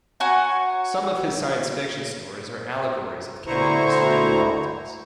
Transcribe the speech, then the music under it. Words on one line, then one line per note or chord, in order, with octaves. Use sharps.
Some of his science fiction stories are allegories of Kenyan history and politics.
F#4 C#5 G#5 A#5
D2 D3 E4 C5 A#5 C#6